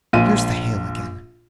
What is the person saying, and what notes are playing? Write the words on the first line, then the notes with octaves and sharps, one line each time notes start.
Here's the hail again.
A#1 F4 D#7